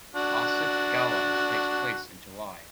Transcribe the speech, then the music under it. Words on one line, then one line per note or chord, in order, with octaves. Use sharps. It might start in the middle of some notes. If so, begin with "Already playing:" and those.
Ossett Gala takes place in July.
D4 F#4